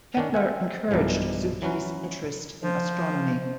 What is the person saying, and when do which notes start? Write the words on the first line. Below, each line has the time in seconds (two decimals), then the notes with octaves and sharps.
Kepler encouraged Zucchi's interest in astronomy.
0.17 D#3 C#4 D4
0.34 C4 E5 F#5 G#5
0.91 B1 G2 B2 E3 F3
1.62 E3 F#3 C#4 B4
2.63 F3